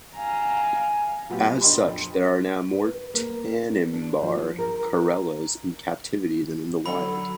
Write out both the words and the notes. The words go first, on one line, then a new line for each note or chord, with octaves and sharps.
As such, there are now more Tanimbar corellas in captivity than in the wild.
F5 G#5 A#5
A#2 F#3 B3 F4 G4
D4 A#4 D#5 G5 B5 C6
F2
B4
A#3
D4
F3
A#4
D3 F#3 A4 B5